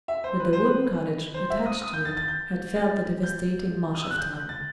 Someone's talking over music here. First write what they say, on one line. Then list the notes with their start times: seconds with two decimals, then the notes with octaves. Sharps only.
But the wooden cottage attached to it had felt the devastating march of time.
0.08 E5
0.24 C5
0.40 B4
0.53 C5
0.65 B4
1.34 C5
1.50 E5
1.66 D#6
1.82 D#6
1.93 G6
2.05 A6
2.17 A6
2.28 G6
2.76 A6
3.23 G6
3.95 D#6
4.03 E6
4.11 F#6
4.18 G6
4.33 G6
4.49 A6